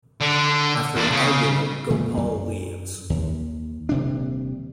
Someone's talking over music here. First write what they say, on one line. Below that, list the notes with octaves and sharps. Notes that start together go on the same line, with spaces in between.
After an argument, Gopal leaves.
D3
E2 D4
C#3
A#2 D#3 A3
F#2
D#2
D#1 C3 D4